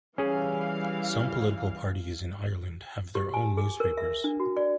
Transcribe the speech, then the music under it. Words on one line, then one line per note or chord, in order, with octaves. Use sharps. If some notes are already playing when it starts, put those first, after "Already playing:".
Some political parties in Ireland have their own newspapers.
E3 G3 C#4 G#4 F5
G4
G#5
G#4
A#4
E5
D4
F#4
D5